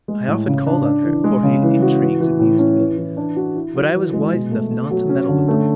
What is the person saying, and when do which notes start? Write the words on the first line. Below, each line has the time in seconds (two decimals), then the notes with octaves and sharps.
I often called on her, for her intrigues amused me, but I was wise enough not to meddle with them.
0.08 G#3
0.27 A2
0.47 C#3
0.67 D4
0.85 D4
1.05 E3
1.24 G#3
1.43 C#3
1.63 E3
1.82 F#4
2.02 E3
2.20 E3
2.40 A2
2.59 C#4
2.78 E3
2.98 E3
3.17 D4
3.36 F#4
3.56 E4
3.75 F#3
3.94 E3
4.13 G#3
4.32 B2
4.52 A3
4.71 A3
4.91 F#3
5.09 C#4
5.29 D3
5.48 A3